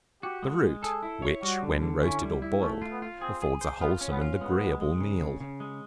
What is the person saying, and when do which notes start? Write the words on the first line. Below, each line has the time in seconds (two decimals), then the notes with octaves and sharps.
The root, which, when roasted or boiled, affords a wholesome and agreeable meal.
0.23 F#4 G4
0.43 G#3
0.63 G#3
0.83 G#4 A4
1.03 E4
1.22 C#5
1.43 G3 F#4
1.63 D3
1.82 D3
2.02 C#4 E4
2.22 G3
2.42 E4
2.61 A3 C#4
2.82 F4
2.92 B3
3.02 F4
3.21 C4 G#4
3.42 G#4
3.61 C5
3.81 B3 F4
4.01 C#4
4.11 B3
4.21 F4
4.41 G#3 B3
4.61 G#3
4.81 G#3
5.00 C#3
5.20 C#3
5.40 C#3
5.60 G#3